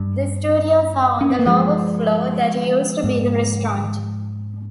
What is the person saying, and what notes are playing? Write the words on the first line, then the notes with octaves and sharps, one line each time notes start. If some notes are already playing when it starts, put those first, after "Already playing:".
The studios are on the lower floor that used to be the restaurant.
Already playing: G2
C#4
C4
A#3
F3 G#3
G#2